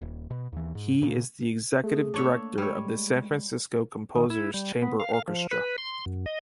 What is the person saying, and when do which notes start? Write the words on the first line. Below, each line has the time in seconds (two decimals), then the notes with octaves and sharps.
He is the Executive Director of the San Francisco Composers Chamber Orchestra.
0.02 D#1
0.31 B2
0.52 D#2 E3
0.75 G#2
1.02 A#2 C#3
1.84 A3 G#4
2.14 D4 C#5 E5
2.25 A#3
2.58 G3 G#3 C#5
4.16 D#3
4.30 E4
4.54 G3
4.82 B3
5.00 F5
5.13 F5
5.28 F3
5.51 B4
5.78 C6
6.06 F#2
6.26 D#5